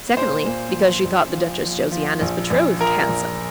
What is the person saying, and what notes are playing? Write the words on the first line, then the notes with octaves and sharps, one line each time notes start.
Secondly, because she thought the Duchess Josiana's betrothed handsome.
A#2 C5
A#2
F3
A#1
F3
F3
F3
A#1
A#1
F3 A#4
A#1